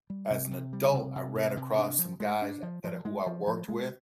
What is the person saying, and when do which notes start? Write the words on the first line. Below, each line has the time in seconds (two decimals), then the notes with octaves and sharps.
as an adult, I ran across some guys that are who I worked with,
0.10 G3
0.31 C3
0.51 C3
0.73 G3
0.94 C3
1.16 C3
1.36 C3
1.57 C3
1.78 D4
1.99 F3
2.20 G#3
2.42 D4
2.63 F3
2.84 F3
3.05 G#3
3.26 F3
3.47 F3
3.68 G#3